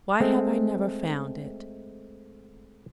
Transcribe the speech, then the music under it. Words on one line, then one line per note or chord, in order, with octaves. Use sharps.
'Why have I never found it?'
G#3 A3 C4